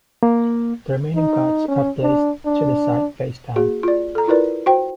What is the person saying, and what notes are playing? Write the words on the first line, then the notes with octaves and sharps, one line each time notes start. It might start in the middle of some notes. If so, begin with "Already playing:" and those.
The remaining cards are placed to the side face down.
A#3
D#4
C#4
D4
D4
A#3 F#4 G#4
F4 D5
A4 A#5
E4 F4 A#4 B4 D5
F#4 C5 G5